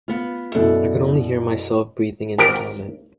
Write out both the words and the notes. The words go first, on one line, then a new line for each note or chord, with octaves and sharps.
I could only hear myself breathing in the helmet.
B3 F4
F#2 B2 E4 A4 D5 F#5
G#1 G4 A#4 A#5